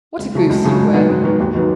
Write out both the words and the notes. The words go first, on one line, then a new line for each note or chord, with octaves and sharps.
"What a goose you were."
C#2
C#3 F#3 A3
C#2
C#3 F#3 A3
G#2
D#3 F#3 B3
G#2
D#3 F#3 B3
D#2
D#3 F#3 B3